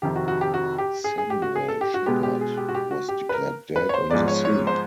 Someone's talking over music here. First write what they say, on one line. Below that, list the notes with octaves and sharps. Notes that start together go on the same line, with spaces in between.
Samuel Shepherd was declared dead on the scene.
F2 C3 D#3 G4
F#4
F#4
G4
F#4
G4
G#4
G#4
G4
F#4
G#4
A4
G4
F#4
B2 G#3 B3 G4
G4
G#4
G4
F#4
G4
F#4
G4
B4
A#4
B4
C#5
C5
G#2 F3 G#3 B3 D5
C#5
C#5
C5